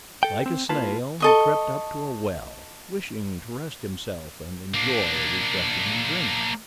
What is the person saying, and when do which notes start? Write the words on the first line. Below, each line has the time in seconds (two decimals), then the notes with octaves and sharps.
Like a snail he crept up to a well, wishing to rest himself and enjoy a refreshing drink.
0.23 A4 G5
0.46 C4
0.69 A#3 E4 F4 B4 A5
1.20 A4 D#5 C#6
4.74 A#3 D4